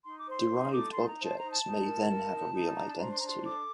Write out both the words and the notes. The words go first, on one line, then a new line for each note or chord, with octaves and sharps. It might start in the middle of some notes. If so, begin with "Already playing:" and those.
Derived objects may then have a real identity.
D#4 C6
D6
C5 C6
D#4
A4 D6
C6
D#4
A#5
C5
A5
D#4 A#5
A5
D#4
A#4
A#4
D#4
D#4
D4 A#5
A5
C5 A#5
C6
D4 A#5
C6
A4 D6